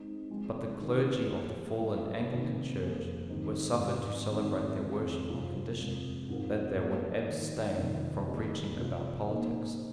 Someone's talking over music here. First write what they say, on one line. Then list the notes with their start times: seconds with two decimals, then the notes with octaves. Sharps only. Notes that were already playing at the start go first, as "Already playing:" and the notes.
But the clergy of the fallen Anglican Church were suffered to celebrate their worship on condition that they would abstain from preaching about politics.
Already playing: G#3 C4 D#4
0.30 F3 G#3 C4
0.80 D#3 C4 D#4 A#4
1.29 F3 A#3 G#4 C5
1.79 G#3 F4 G#4 D#5
2.29 C3 D#3 A#3
2.79 F2 F3 A#3 G#4 C5
3.29 G#2 D#3 C4 D#4 C5
3.79 G#2 F3 C4 F4
4.29 D#3 G#3 C4 D#4
4.79 F2 D#3 G#3 C4
5.29 C3 F3 C4 F4 G#4
5.79 C3 G#3 F4
6.28 G#2 F3 C4 F4 A#4
6.78 F3 A#3 F4
7.28 D#3 A#3 D#4
7.78 F2 C3 D#3 C4
8.28 D#3 A#3 G#4 D#5
8.77 C3 F3 C4 F4 G#4
9.28 A#2 A#3 D#4 A#4 D#5